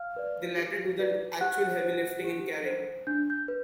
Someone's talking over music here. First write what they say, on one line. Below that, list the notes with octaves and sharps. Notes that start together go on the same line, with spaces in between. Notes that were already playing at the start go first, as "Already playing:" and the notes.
The latter do the actual heavy lifting and carrying.
Already playing: F5 F6
B4 D5
G4
B4 D5
G4 F#5 F#6
C5
G4
C5
D4 G6
G6
B4